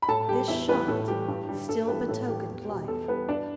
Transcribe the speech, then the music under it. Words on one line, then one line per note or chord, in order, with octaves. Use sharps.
This shot still betokened life.
B5
A2 A4 A5
G3 G4 G5
E2 E4 E5
E3 G3 B3 B4
A2 A4
E3 G3 G4
G2
D3 G3
G2 A4
E3 G3 B3 B4
A2 A4
E3 G3 G4
E2
B2 G3
E2 A4
E3 G3 B3 B4
G2 D4 D5